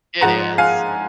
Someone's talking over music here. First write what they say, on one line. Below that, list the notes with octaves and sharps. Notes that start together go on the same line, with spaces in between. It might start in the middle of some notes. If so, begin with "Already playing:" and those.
It is.
G#2 F3 F#5 A#5
F5 G#5